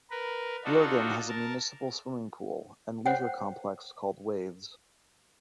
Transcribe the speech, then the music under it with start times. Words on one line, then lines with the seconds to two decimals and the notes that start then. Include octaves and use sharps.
Lurgan has a municipal swimming pool and leisure complex called Waves.
0.11 A#4 B4
0.65 D4 D#4 F4 F#4 A4
1.28 A#4 A5
3.06 C5 C#5 F#5 G5